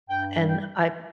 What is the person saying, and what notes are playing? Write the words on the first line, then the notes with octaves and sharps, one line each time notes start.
and I
G2 G5
G3
G5